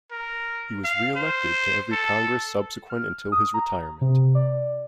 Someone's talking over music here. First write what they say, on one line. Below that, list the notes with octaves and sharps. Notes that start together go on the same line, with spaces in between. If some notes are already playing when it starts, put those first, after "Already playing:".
He was re-elected to every Congress subsequent until his retirement.
A#4
F5
C5
A4
F6
D#6
A#5
C3
D5